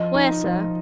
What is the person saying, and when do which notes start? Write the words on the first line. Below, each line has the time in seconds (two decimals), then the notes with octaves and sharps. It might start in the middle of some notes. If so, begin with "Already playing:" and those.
"Where, sir?"
Already playing: F3 D#5
0.14 D#4
0.44 F3